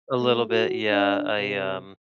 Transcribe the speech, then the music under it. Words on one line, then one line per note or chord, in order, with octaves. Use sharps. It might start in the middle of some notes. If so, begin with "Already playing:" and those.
A little bit, yeah. I, um,
A3
F#4
D4
C3